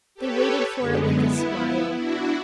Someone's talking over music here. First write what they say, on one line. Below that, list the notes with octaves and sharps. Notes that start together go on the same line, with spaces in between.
They waited for it with a smile.
G4 A4 B4 C#5
F#2 D3 G#3 B3
B3 E4
D4 E4 F#4